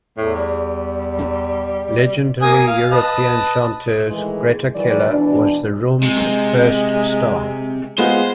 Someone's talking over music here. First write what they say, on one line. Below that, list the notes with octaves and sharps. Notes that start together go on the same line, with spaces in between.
Legendary European chanteuse Greta Keller was the room's first star.
E2 A2
G3
A#3 G#5 D#6
F5
B4 D#5 A5
A2 D#3 E3 G#3
D#3 E3 F#3 D5
B2 E3 D4
C3 G#3
G#3 B3 F4 C5